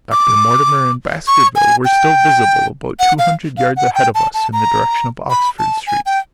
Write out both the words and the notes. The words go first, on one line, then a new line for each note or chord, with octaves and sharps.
Dr. Mortimer and Baskerville were still visible about two hundred yards ahead of us in the direction of Oxford Street.
D6
C#6
G#5
G5
F#5
F5
F5
F#5
G5
A5
A5
A#5
B5
A5
G#5
G5